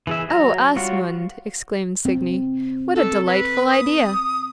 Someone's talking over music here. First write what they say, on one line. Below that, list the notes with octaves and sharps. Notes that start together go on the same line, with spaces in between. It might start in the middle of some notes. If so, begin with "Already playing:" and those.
'Oh, Asmund!' exclaimed Signy, 'what a delightful idea!
E3 G#4 E5
F#3 A#5
G3 F4 F#4 C#5
C4
A4
B4
D#6